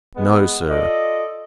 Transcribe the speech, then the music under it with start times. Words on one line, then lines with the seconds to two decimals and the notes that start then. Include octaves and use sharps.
No, sir!
0.16 G#3 B3
0.69 F4 A4 D5 D#5